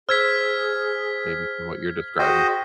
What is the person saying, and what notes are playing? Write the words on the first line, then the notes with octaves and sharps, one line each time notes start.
maybe from what you're describing.
G#4 C5 E6 F6 G#6 B6
F#4 G#4 C5 D#5 G5